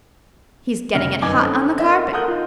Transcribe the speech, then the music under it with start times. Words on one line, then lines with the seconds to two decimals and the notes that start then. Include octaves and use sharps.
'He's getting it hot on the carpet.'
0.95 F1 C#3 E5 F6 A#6
1.22 G1 F#2 D#4 G#5 D6 G#6
1.40 C4 C#4 A4
1.79 A#4 D#5 E5
2.13 A4 A#4 F#5 D#6 F#6 G6
2.28 D#4 F4